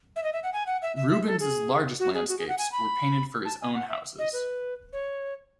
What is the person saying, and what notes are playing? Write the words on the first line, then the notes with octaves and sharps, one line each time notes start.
Rubens' largest landscapes were painted for his own houses.
E5
D#5
E5
F#5
G#5
F#5
E5
E5
E5
A4
G#4
F#4
G#4
F#4
G#4
F#5
G#5
B5
A5
G#5
F#5
E5
D#5
B4
C#5